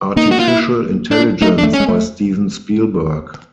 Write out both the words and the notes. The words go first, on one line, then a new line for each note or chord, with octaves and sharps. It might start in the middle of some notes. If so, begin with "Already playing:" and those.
Artificial Intelligence by Steven Spielberg.
A#3 D#4
F#4
F4
E4
D4
A3 D#4
D4
A3
C#4
G#3
A3